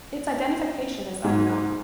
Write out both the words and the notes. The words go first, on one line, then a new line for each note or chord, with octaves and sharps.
Its identification is unknown.
G#2